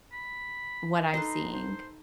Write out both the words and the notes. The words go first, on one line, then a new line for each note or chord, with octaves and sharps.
what I'm seeing.
B5
D#4 A4 B4 C6
C5